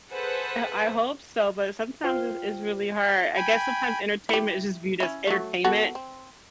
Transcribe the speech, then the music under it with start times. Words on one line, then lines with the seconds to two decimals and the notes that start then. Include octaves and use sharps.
I I hope so, but sometimes it's it's really hard. I guess sometimes entertainment is just viewed as entertainment,
0.12 G#4 A4 B4 C5 F#5
2.04 F4 C5 G5
3.37 G5 G#5 B5
4.29 E4 G4
5.00 C#4 E4
5.27 F#3 A3
5.64 B3 F#4 A4
5.95 C4